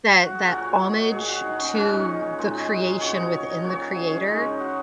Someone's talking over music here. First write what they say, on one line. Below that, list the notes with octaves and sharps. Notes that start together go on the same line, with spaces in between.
that that homage to the creation within the creator
F#4
G#4
A#2 F#3 A#4
C#5
D#5
C#5
A#2 F#3 G#4
F#4
D#4
C#4
A#2 G#3 C#4
D#4
A#2 G#3 D#4
G#4
G#4
A#4
C#3 F#3 C#5
D#5
C#5
D#5
A#2 F#3 C#5
A#4
G#4
C#4
C#3 G#3 D#4
D#4
F#4